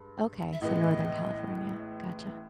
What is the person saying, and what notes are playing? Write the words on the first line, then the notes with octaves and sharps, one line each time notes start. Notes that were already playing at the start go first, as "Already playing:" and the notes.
Okay, so, Northern California. Gotcha.
Already playing: G2 G#3
E5
A1 A2 E3 G#3 B3 D#5